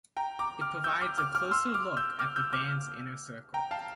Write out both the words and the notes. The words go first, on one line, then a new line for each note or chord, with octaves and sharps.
It provides a "closer look at the band's inner circle".
G5 A#5
A#5 D6
D6 F6
E6 G6
D6 F6
D6 F6
D6 F6
C6 E6
D6 F6
E6 G6
D6 F6
E6 G6
D6 F6
G5 A#5
F5 A5